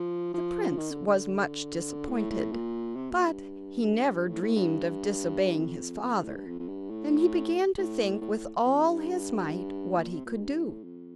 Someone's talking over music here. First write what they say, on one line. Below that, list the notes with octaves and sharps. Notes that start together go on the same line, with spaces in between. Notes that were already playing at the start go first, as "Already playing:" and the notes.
The prince was much disappointed, but he never dreamed of disobeying his father, and he began to think with all his might what he could do.
Already playing: F3
F3
D#3
D3
D3
A2
A2
A#2
C3
A#2
G2
G2
A2
A2
G2
F2
F2
G2
A2
G2
F2
F2
G2
A2
A2
A2
A2
F2
G2
A#2
C3
A#2
G2
A2
F2